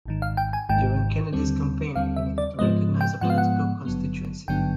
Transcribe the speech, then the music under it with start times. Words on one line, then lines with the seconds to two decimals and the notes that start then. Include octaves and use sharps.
During Kennedy's campaign, he needed to recognize a political constituency.
0.06 G#1 G#2 D#3
0.22 F5
0.37 G5
0.53 G#5
0.69 G#1 G#2 D#3 G5
1.33 D#2 D3 G3 C4
1.95 D#2 D3 G3 C4 F5
2.16 E5
2.38 D5
2.59 G#2 F3 G#3 B3 D#5
3.01 G5
3.21 G#2 F3 G#3 B3 F#5
3.30 F5
3.38 F#5
3.85 G#1 G2 D3 F#3 B3
4.48 G#1 G2 D3 F#3 B3 G5